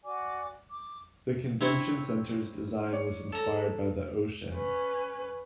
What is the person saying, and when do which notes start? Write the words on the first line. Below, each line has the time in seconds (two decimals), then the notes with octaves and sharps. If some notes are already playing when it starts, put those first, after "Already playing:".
The Convention Center's design was inspired by the ocean.
0.03 F#4 D5 G#5 D6
0.68 D6
1.61 C4 D4 E4 C#5
2.93 C#5 D5
3.32 A4 A#5
4.53 C#4 B4